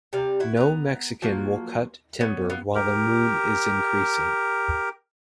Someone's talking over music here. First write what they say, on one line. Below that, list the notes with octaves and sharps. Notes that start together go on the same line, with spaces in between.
No Mexican will cut timber while the moon is increasing.
C3 G3 F5
E4 F#4
B3 A#5
F3 F#3 A#3
B3 C#4
B3 F4
G4 A#4